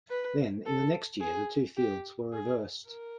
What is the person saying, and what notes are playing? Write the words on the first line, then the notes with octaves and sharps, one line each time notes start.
Then, in the next year, the two fields were reversed.
B4
A4
G#4
G4
G#4
A#4